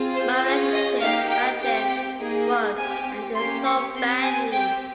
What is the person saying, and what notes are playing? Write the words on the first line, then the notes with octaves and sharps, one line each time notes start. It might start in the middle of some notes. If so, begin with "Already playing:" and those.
My relationship back then was ended so badly.
Already playing: C4 F4 G#4
C5
C#4 F4 G#4
D#5
A#3 D#4 G4 F5
G5
C4 G4 G5
A#3 D#4 G#4
C4 G4 G#5
A#3 C#4 G4 C6
C#6
C4 G4 C6
G#5
C4 G4 G5